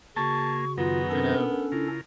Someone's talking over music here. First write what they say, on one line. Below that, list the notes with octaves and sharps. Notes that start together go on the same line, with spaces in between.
kind of
C#3 A#3 F#4 G#4 A5 C#6
F#2 D#3 B3 F4 A#5
C#4 D4 A4 A#4
C#3 E4 F4 A#4